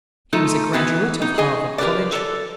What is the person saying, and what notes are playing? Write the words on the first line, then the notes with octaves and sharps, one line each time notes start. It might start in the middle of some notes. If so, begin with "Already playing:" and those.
He was a graduate of Harvard college.
A3 D#4 F4 A4
E3 B3 F#4
D#4
G#4 D#5 G#5
G4 A#4 B4 D5
A4 D5